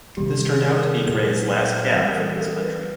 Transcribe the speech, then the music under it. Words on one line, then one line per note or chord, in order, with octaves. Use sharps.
This turned out to be Gray's last cap for his country.
C3 D#3 G3 A#3 G4
G#4
A#4
A4
A#2 F#3 A#3 A#4
B4
C5
B4
E3 G3 C4 A#4
A4
A#4
B4